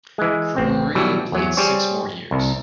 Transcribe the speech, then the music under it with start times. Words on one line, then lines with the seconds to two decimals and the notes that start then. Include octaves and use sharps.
Krumrie played six more years.
0.18 E3 G#3
0.56 A1 C4
0.95 B2 E3 F#3 G3
1.32 E2 F#3
1.57 G3 G#4 C5 C#5
2.31 C2